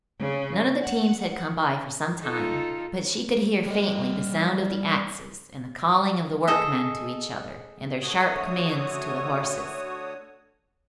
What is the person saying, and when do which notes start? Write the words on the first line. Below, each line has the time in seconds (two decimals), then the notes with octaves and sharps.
None of the teams had come by for some time; but she could hear faintly the sound of the axes and the calling of the workmen to each other and their sharp commands to the horses.
0.17 C#3
0.82 F#5
2.22 D#4 F4 A4
3.66 G3 D#5
6.48 G#4 A4 D#5
8.02 D3 A3 F#4 C#5 D#6